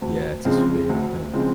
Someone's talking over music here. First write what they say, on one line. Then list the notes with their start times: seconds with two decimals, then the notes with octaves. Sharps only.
Yeah, it's his favorite thing.
0.02 D2
0.45 C#3 F3 G#3 C4
0.89 D2
1.33 C#3 F3 G#3 C4